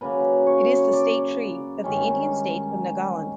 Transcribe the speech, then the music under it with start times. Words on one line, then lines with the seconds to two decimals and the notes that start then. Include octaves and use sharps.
It is the state tree of the Indian state of Nagaland.
0.01 C#3 F#3 A#3 B4
0.47 C#5
0.93 D5
1.84 G2 D#3 G#3 C#4